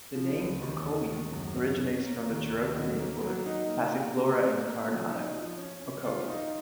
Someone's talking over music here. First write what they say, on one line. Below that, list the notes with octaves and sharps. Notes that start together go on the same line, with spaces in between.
The name Ocoee originates from the Cherokee name for Passiflora incarnata, ocoee.
F3
C#2
D#2
G#3
D#2
F#2
C#4
C#4
A#3
D#2
D#2
B2
A#3
F#3
D#4
A#3
A#3
C#3
A#3
A#3
F3
D#4
F3
C#4
C#4
F4
D#4